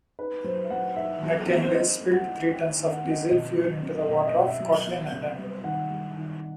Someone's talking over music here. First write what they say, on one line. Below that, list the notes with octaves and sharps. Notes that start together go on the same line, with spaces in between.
McKinley, spilled three tons of diesel fuel into the water off Kotlin Island.
D#4 B4
F#3 C5
F#3 F#5
D#4 E5
F#3
D#4
C5
C4 D#5
A3
F#5
E4
E4 G5
D#3
F#5
C4
D#5
B2 D#5
F#3
C4
B2 D#5
E5
D#5
B2
E5
F#3
B3
C3
G3
D#3 F#5
G3
D#3